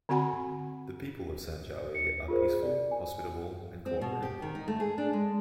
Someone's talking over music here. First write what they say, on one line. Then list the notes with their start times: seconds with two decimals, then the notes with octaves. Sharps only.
The People of Sanjawi are peaceful, hospitable, and co operative.
0.09 D3 C4 F#4 F#5 G#5 B5
1.95 C#7
2.28 F4 G#4 A#4 C5
2.62 D5
2.91 G#5
3.86 C4
4.01 B2
4.23 G4
4.42 D#3
4.55 D#4
4.68 A3
4.80 G#4
4.98 D4
5.13 G#3